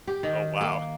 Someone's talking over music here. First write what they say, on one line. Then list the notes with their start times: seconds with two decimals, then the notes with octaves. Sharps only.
Oh, wow.
0.07 G4
0.23 D#3
0.61 A#3